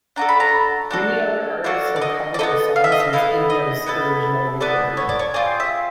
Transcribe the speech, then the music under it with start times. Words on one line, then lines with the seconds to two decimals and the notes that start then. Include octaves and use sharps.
Many other artists have covered the song since Enya's original recording.
0.16 D4 F#4 A4 A#5
0.29 B5
0.40 A#5
0.91 D4 F#4 A4
1.64 D4 F#4 A4 F5
1.96 D5
2.02 D#5
2.34 D5
2.39 E4 A4 D#5
2.43 B3
2.76 F5
2.84 E5
2.92 D#5
3.00 E5
3.13 B3 E4 A4 F5
3.50 D#5
3.87 B3 E4 A4
4.61 B3 E4 A4 D5
4.97 C#5
5.09 D5
5.19 C#5
5.34 C4 F4 G#4 D5
5.60 E5